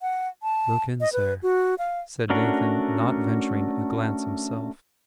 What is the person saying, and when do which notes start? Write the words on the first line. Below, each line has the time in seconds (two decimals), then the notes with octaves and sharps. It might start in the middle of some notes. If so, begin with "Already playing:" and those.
"Look in, Sir," said Nathan, not venturing a glance himself.
0.02 F#5
0.43 A5
1.00 D#5
1.13 B4
1.43 F#4
1.78 F5
2.30 A3 C#4 D4 F#4 A#4